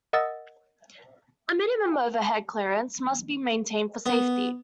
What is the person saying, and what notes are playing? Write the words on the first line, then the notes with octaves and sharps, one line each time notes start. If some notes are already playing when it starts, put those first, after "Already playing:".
A minimum overhead clearance must be maintained for safety.
A#4 D#5 F#5 D#6 E6 A6
B3